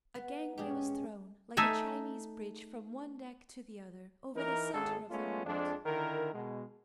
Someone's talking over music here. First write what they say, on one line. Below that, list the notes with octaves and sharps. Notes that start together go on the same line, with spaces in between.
A gangway was thrown, like a Chinese bridge, from one deck to the other, over the centre of the hold.
B3
G#3 C#4 G4 G#4
A3 D#4 E5 G#5
E3 D#4 A#4
G#1 G#3 G#4 A4
G#3 A3 B3 C#4 F4
F2 F3 G#3 D4
D3 D#3 E4 A#4
B2 G#3